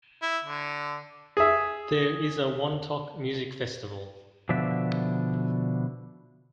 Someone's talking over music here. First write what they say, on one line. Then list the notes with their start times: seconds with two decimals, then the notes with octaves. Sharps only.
There is a Wantok Music Festival.
0.22 E4
0.45 D3
1.37 G#4 E5
4.49 B2 D3 F3 D5 E5